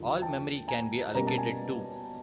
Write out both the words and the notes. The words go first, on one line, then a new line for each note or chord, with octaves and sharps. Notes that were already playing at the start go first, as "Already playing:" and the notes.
All memory can be allocated too.
Already playing: D#2 D3 F3
G5 A5
G#5 A#5
B2 G3 A#3 C#4 A#5
A5
G#5